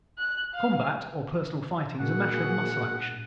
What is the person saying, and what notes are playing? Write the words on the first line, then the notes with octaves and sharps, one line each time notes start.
Combat or personal fighting is a matter of muscle-action.
F#6
F5
A#2 G#3 A#3 D4 F#4 G#4 F#5